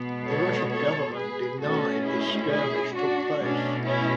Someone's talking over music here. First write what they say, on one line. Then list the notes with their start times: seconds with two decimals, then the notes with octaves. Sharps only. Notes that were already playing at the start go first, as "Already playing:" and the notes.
The Russian government denied the skirmish took place.
Already playing: B2 G#3 B3
0.27 A4 C#5
0.71 A4 C#5
1.16 G#4 B4
1.61 B2 A3 C#4 F#4 A4
2.05 E4 G#4
2.51 E4 G#4
2.95 D4 F#4
3.41 B2 A3 C#4 D4
3.85 C#4 E4